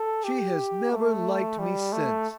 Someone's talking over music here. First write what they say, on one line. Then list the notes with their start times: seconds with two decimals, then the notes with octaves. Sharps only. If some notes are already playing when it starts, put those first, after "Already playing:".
She has never liked me since.
Already playing: A4
0.24 G4
0.91 A3
1.59 G3
1.93 A3